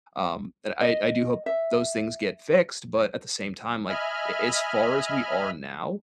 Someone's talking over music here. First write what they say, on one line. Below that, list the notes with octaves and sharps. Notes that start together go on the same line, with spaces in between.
Um, and I I do hope those things get fixed, but at the same time, like, a as far as we are now,
D#5
E5
D#5 E5 G#5 B5 F6